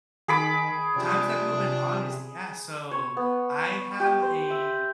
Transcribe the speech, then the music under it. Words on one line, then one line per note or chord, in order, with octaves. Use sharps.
times that people been honest, yeah. So, I have a
D#3 G#4 B5 D6
C3 F3 D4
C#5
B3
G4
C5
E5